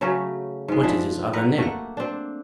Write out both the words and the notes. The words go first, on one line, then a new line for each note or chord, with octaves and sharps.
"What is his other name?"
C#3 F#3 A3 C#4
G#2 G#3
F3 D4 E4 E5
A#4 B4 F#5
A3 A#3 F#5
C4 D4